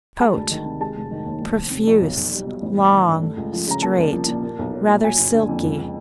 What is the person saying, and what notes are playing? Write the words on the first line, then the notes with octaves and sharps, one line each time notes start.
COAT--Profuse, long, straight, rather silky.
G#3 A5
D2
D#3
C3
G#3 A5
F1
D#3
D#2
F1
F1
C3
F2
B1
B1
G3
B2
A1
A1
D#3
G2
A3
C#2
F3
C#3 A#5
A#3 A5
C2
F3
A#2
A#3
B1
F#3
A#2
F#3 G#5
F#1
D3
F2
C#2